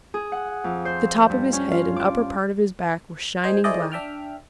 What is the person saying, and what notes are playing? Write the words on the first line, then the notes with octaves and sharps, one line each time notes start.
The top of his head and upper part of his back were shining black.
G#4
F#5
F2
C5
G6
G2
C#4
F4
D6
D#4 C5 G#5
E4 G#4 A4 C5 D5 D#5
D4 E5 G5 F6